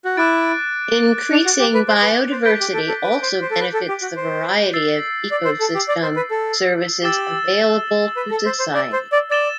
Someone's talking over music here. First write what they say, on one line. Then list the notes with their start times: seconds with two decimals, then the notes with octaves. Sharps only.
Increasing biodiversity also benefits the variety of ecosystem services available to society.
0.05 F#4
0.17 E4 D6 F#6 A6 D7
1.31 D4
1.45 F#4
1.59 G4
1.74 B4
1.88 C5
2.02 B4
2.32 C5
2.45 B4 G6 B6 D7 G7
2.60 G4
2.74 A4
2.88 A4
3.03 B4
3.22 C5
3.41 C5
3.51 A4
3.60 B4
3.73 A4
3.88 G4
4.02 F#4
4.17 C5
4.74 E6 A6 C7
5.31 D5
5.45 C5
5.60 A4
5.75 G4
5.88 D5
6.03 C5
6.16 B4
6.31 A4
7.02 G4 E6 A6 E7 G7
8.17 B4
8.31 A4
8.46 C5
8.59 C5
8.74 D5
8.92 C5
9.12 D5
9.31 D5 A6 E7 G7